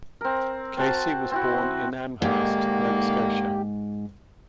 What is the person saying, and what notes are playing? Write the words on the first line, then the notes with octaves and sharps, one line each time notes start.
Casey was born in Amherst, Nova Scotia.
C4 A#4
C4 F#4 A5
C4 E4 F#4
G#2 D3 D#3 A#3 G4